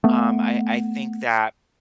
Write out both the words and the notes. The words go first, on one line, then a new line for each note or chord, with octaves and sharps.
um, I I think that
A3 B3